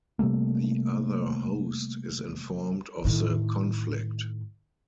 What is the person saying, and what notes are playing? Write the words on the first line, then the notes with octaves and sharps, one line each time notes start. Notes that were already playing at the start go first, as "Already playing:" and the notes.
The other host is informed of the conflict.
C3 G3 A3 A#3
A2 D#3